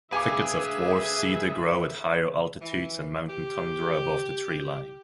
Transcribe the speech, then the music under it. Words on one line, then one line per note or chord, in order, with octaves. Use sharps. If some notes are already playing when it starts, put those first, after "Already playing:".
Thickets of dwarf cedar grow at higher altitudes and mountain tundra above the treeline.
D2 G#4 B4 E5 F5 G#5 D6
E3
G4